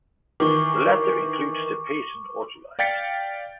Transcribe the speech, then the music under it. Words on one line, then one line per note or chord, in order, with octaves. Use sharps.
The latter includes the Payson Ophiolite.
D#3 E3 C#6 D6
D5 F5 G5 A6 B6 C#7